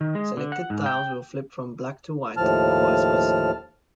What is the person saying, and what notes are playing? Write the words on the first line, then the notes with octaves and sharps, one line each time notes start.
Selected tiles will flip from black to white or vice versa.
D#3
G#3
D3
F#5
G#2
G5
D#2 A2 F3 A5 F6